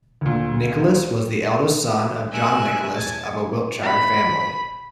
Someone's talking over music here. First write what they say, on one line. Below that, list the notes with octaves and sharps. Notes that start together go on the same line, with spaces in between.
Nicholas was the eldest son of John Nicholas of a Wiltshire family.
D2 A#2
C3 A3 A#4 E5 G#5 F#6
E2 G#5 A5
B5